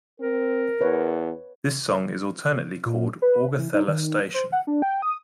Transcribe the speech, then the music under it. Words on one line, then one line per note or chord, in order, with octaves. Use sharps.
This song is alternately called "Augathella Station".
C4 A#4
E2 B4 C#5
A#2
B4
E3
D#4
D#3
C5
F#5
D4
G5
D#6